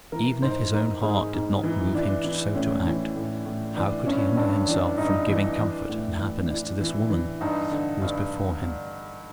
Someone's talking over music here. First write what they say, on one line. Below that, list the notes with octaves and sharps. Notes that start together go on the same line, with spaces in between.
Even if his own heart did not move him so to act, how could he hinder himself from giving comfort and happiness to this woman who was before him?
E3 A#4
G#2 C5
G#2 A#4
G#2 G#4
G#2
E3
E3 D4
E3
A2 C#4
E3
A2
A2
E3 D4
G2 C#4
G2 D4
E3 D4
G2 D#4
E3 D4
E3 D4
A2
E3
E3 D4
E3
E3
G2 D#4
D3
G2